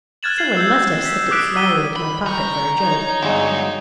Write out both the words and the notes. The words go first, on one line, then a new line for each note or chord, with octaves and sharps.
Some one must have slipped it slyly into my pocket for a joke.
F6 F#6 G#6 A6 E7 F#7
G#6 C7 F#7
E6 G6
B6
D6 D#6 F6 F#6 B6 D7
D6 E6 B6 D#7 G7
B5
G5 A#5 C#6
D#4 C#5
G1 F#3 G#3